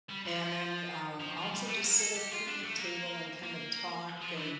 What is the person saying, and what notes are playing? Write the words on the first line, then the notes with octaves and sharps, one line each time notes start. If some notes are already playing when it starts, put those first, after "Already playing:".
and then, um, also just sit at a picnic table and kind of talk and
G3
F3
F3
F3
F3
G3
A3
A#3
A4
G4
F4
D4
A3
A#3
A#3
F3
E3